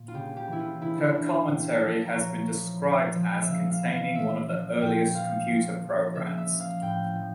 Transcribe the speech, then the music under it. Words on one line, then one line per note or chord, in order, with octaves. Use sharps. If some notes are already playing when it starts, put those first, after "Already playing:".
Her commentary has been described as containing "one of the earliest computer programmes".
Already playing: A#2
F4
C#3 G4
G4
E3 E4
F4
C#3 E4
D4
E4
E3
F4
A#2 G4
A4
F3
A#4
A#2 C#5
F3
A#2
F3
E5
C#3 F5
F5
E3
F5
A#2 E5
F3
A#2 G5
F3 F5
A#2
F3
C#3 E5
E5
F3
F5
A2 G5
F3